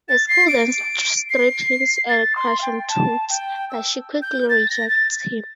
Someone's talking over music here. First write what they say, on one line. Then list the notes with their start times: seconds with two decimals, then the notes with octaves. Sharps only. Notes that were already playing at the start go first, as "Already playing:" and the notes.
A school-dance strip hints at a crush on Toots, but she quickly rejects him.
0.08 A6
0.28 C7
0.48 D7
1.29 C7
2.08 A6
2.35 C6
2.58 F5
2.61 G5
2.89 A5
3.29 G5
3.69 E6
4.22 G6
4.49 A6
4.69 A#6
4.88 A6